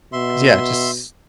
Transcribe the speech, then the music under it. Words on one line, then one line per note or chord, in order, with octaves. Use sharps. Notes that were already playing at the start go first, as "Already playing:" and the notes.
'Cause, yeah, just
B2 E5 C6